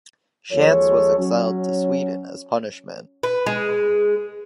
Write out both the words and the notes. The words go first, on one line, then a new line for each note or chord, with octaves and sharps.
Schantz was exiled to Sweden as punishment.
D#2 F3 G#3 A4 C#5
F#3 C#4
B4
G#3